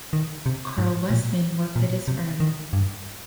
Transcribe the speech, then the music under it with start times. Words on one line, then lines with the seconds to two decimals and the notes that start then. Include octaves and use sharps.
Carl Westman worked at his firm.
0.13 D#3
0.46 C3
0.78 G#2
1.10 A#2
1.76 A#2
2.08 C3
2.40 D#3
2.73 G2